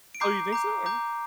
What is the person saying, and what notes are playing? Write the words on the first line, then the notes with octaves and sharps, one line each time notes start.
Oh, you think so? Okay.
D7
A#5 D6 G6 C7
A#5 D6 G6
A#5 D6 G6